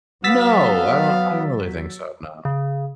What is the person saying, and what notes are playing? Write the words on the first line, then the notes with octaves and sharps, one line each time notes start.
No, I don't I don't really think so, no.
F#3 B3 F5 E6 A6 B6
C#3